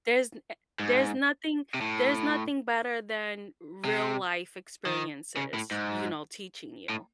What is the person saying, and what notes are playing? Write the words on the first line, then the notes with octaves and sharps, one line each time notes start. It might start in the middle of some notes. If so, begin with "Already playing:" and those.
There's e eh there's nothing there's nothing better than real life experiences, you know, teaching you.
G#2
C3
A2
C3
D#3
C#3
A2
G#2
A2